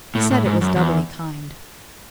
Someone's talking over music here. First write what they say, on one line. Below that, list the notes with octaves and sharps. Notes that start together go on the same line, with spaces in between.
He said it was doubly kind.
A2
A2
G#2
F#2
E2